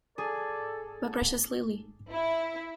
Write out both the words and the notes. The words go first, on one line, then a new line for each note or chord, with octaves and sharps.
My precious Lily!
G#4 A4 D5
E4